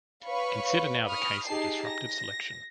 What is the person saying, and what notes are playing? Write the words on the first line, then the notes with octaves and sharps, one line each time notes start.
Consider now the case of disruptive selection.
B4 C#5 F5 B5 C#6
B5 C#6 D#6 F6
D#4 G4 G#4 A5 C7
A#6